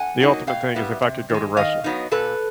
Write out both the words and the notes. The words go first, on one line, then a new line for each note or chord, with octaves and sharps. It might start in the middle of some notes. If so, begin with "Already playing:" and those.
the ultimate thing is if I could go to Russia.
Already playing: F#5 G#5
F#3 A#3 D#4
B2 F5 G5
G3 B3 E4
C3
D#3 G#3
D#3 D#5 F5
F#3 B3 D#4
A#2 A4 B4